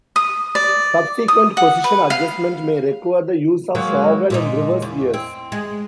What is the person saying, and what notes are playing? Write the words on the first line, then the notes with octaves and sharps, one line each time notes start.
Subsequent position adjustment may require the use of forward and reverse gears.
D#6
D5
D#6
F#5
B4
F5
F#3 G#3 A#3
A#2 G#3 D#4
E2
C4
G#3